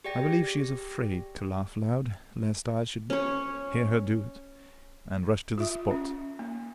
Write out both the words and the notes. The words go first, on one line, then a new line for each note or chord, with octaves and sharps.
I believe she is afraid to laugh loud, lest I should hear her do it, and rush to the spot.
G4 G#4 D5 G5 A#6
C#4 C#5
F4 E5
C#4
A#3